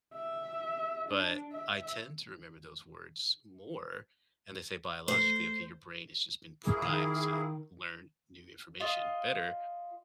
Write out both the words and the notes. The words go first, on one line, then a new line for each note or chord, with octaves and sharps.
but I tend to remember those words more, and they say biologically, okay, your brain has just been primed to learn new information better
E5
D4
E5
A3 C5
A#3 E4 G#4
D#3
F4 D#5